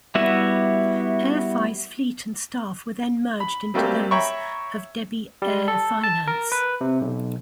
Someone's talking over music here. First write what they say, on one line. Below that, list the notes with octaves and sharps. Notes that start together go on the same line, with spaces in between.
AerFi's fleet and staff were then merged into those of debis AirFinance.
G3 B3 E4 F#4 E5
B5
F#3 G3 A3 A#3 C4 G4
C#5 E5 G5 A#5 B5 C#6
G3
A4
A5
A#4
B4
C3
B1